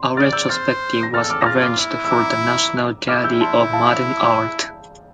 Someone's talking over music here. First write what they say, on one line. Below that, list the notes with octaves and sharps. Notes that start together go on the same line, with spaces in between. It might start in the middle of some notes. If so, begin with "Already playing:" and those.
A retrospective was arranged for the National Gallery of Modern Art.
Already playing: C6
D5 F6 A6
E6 G6
C5 F6 A6
A#6
A4 F6 A6
E6
D6 F6
A#6
F4 F6 A6
D6 F6
E4
E6
A#5 D6
E4 D6 F6
E6 G6
A5 C6
F5 A5